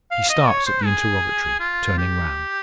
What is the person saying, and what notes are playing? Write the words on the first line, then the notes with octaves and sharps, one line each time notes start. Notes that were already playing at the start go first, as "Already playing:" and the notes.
He starts at the interrogatory, turning round.
F5
D#5
C#5
C5
G#4
F4
G4